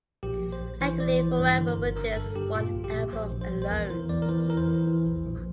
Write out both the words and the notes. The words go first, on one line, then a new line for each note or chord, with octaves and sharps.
I could live forever with this one album alone.
A#1 G4
A#1
C5
A#1
E3 C5
A#1 D5
E3 C5
G2 C5
D3
A#4
G1
D3 A#4
G2 A4
G2 G4
A#2 F4
A#1
G4
A#2
A#1 C5
A#1
C5
A#1
C5
E2 A#4
E3 C5
E2 D5
A#4
E3 C5
E3 A#4
C5
E2
E3
A#1
A#1